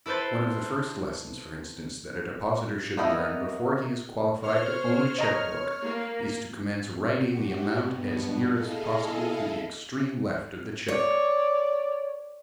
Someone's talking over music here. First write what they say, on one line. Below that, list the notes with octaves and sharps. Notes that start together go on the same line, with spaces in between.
One of the first lessons, for instance, that a depositor should learn before he is qualified to own a check-book is to commence writing the amount as near as possible to the extreme left of the check.
E4 A4 B4 C5 A6
A#3 B3 D#4 E4 A#4
C5 C#5 F6
D#5 A#5
A#3
F#4 G4
G2 B2 B3
E4 G#4 A4 D#5 F5
C#5 D5